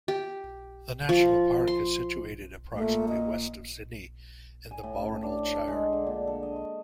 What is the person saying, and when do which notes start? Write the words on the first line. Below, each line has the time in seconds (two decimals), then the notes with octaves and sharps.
The national park is situated approximately west of Sydney in the Balranald Shire.
0.08 G4
1.09 F3
1.68 C6
2.76 A#2 A3
3.08 D#5
4.71 G#5
4.83 A2
5.01 C#4
5.23 D4
5.54 A4
5.68 G#3
5.93 D3
6.07 A#2
6.27 A4
6.43 D#5
6.56 C#6